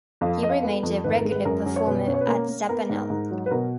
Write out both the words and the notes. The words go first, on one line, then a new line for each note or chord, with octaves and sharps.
He remains a regular performer at Zappanale.
F2 F5
F2 D#5
F5
B3
F2
G#1 B4
A#4
G#3
B4
F#2 A#4
F#2
C#5
B2 B4
C#4
C#5
B4
A#3 A#4
A#3
B3 A#4
G#2
G#2
F#3
B4
B2 A#4